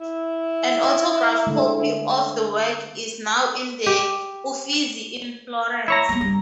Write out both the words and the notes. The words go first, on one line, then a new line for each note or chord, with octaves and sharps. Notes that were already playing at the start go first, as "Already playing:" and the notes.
An autograph copy of the work is now in the Uffizi in Florence.
E4
D#5
D3 G#3 A3
G4
E4 C#5 A#5
A3 B3 A#5
G2